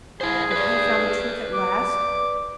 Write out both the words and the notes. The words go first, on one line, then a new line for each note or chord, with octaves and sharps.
Had he found the Truth at last?
E4 G#4 C5
B4 D5
D6